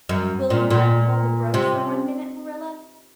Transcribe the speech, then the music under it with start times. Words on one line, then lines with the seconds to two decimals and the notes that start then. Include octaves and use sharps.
Will you let me hold the brooch for one minute, Marilla?
0.09 F#2
0.50 A#2
0.70 A#2
1.54 C3